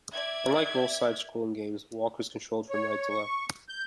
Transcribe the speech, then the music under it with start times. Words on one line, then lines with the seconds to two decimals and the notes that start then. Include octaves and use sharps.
Unlike most side-scrolling games, "Walker" is controlled from right to left.
0.12 D5 E5 G#6
2.70 C#5
3.10 C#6
3.69 G6